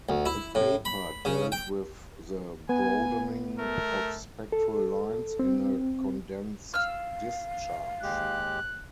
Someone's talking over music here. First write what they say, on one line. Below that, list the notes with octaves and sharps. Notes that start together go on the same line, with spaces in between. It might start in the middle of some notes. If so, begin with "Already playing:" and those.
The paper dealt with the broadening of spectral lines in a condensed discharge.
D2
E4
A2
B5
C#3
G5
B3 G#5
A3 A#4
A4
C4
F5 E6 F6
D#2 G#3 G4 F#6